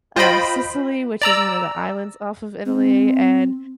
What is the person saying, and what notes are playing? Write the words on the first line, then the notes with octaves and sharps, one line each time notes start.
um, Sicily, which is one of the islands off of Italy. And,
F4 C5 D#5 G5 B5
D5 A#5 E6
C4